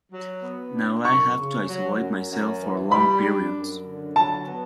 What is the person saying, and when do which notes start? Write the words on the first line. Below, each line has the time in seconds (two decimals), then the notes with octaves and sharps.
Now I have to isolate myself for long periods.
0.12 F#3
0.43 B3
0.74 D4
1.05 F#2 C#6
1.37 C#3
1.67 F#3
1.98 F#2
2.30 F#2
2.61 E3
2.92 G3 B5
3.23 D4
3.54 F#2
3.85 D3
4.16 F#3 A5
4.47 B3